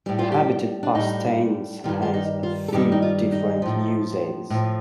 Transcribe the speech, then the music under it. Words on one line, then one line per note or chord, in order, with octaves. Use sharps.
The habitual past tense has a few different uses.
A2 G3 G4
F4
G4
D4
A2 G3 D#4
G2 D#3 G3 F4
F4
D#4
F4
A4
G2 D#3 G3 G4
D#4
F4
D#4
A2 F3
A2 F3